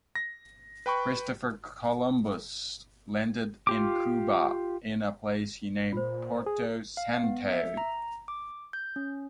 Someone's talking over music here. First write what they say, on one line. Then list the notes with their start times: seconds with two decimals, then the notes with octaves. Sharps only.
Christopher Columbus landed in Cuba in a place he named Porto Santo.
0.15 A#6
0.86 B4 G5 B5 C#6
3.67 F4 G4 D6
5.93 A#2 F4 C5
6.46 G#4
6.97 F5
7.24 B3
7.53 E5
7.77 A#5
8.28 D6
8.73 G6
8.96 C#4